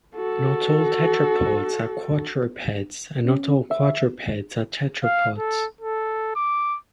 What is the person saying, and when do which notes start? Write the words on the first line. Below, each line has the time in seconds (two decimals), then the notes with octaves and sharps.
Not all tetrapods are quadrupeds and not all quadrupeds are tetrapods.
0.15 F#4 A4
3.25 C#4
3.71 E5
5.04 F5
5.38 A4
5.81 A4
6.36 D6